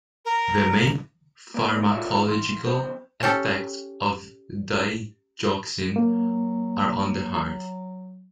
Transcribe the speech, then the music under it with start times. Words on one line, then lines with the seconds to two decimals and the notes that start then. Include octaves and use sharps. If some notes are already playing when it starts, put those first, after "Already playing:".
The main pharmacological effects of digoxin are on the heart.
0.25 A#4
1.54 A#3 B4 D5 G#5
1.77 G#3 D4 D#4 A#4
1.91 F4 F#4 A4 C#5 D5 E5
2.27 E3 C6
2.65 B1 F2 C5
3.23 C#4 G4 A4
5.96 F#3 A#3